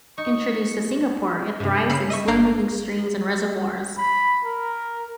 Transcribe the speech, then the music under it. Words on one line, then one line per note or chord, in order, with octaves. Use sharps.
Introduced to Singapore, it thrives in slow-moving streams and reservoirs.
D#4 C#6
G2 C3
C#3 B5 E6 C7 C#7
D#5 E5 C#6
G1 A#3 D4 F5 A#5 G6
B5
A#4